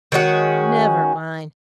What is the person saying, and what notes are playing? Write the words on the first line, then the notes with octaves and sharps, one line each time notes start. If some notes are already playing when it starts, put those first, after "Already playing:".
'Never mind.
D#3 G#3 C#4 F#4